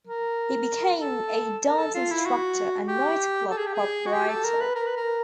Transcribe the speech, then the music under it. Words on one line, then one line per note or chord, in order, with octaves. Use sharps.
He became a dance instructor and nightclub proprietor.
A#4
A4
A#4
A4
F4
E4
F#4
G4
A4
G#4
G4
G#4
F#4
G4
A4
A#4
B4
A#4
B4
A#4